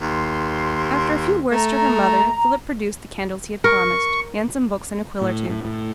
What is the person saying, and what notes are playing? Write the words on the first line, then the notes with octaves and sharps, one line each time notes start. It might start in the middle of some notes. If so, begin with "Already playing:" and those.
After a few words to her mother, Philip produced the candles he had promised, and some books and a quill or two.
D#2 C6
A3 A#5
A#4 C#6
A2
A2
A2